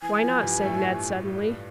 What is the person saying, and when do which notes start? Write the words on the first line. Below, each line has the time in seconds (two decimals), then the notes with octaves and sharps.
"Why not?" said Ned suddenly.
0.02 E3 G#5
0.23 F3
0.42 G2 G3
0.63 A2 A3